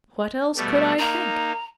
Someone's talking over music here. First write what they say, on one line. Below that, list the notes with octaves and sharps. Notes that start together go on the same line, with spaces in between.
What else could I think?
B2 G3 A3
A#3 D#4 A#5